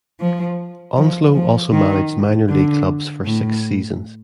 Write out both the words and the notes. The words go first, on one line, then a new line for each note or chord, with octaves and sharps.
Onslow also managed minor league clubs for six seasons.
F3
F3
F3
D#3
D3
A2